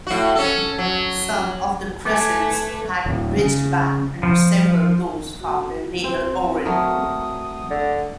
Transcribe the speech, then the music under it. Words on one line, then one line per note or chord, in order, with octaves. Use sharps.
Some of the crescents had ridged backs and resembled those found at Nahal Oren.
A2 F#4
C#4 A4
F#3
A3 B4 G#5 D6
D1
C#3
F3
F#4
C4
F#3 A3 A#4 D#6
D3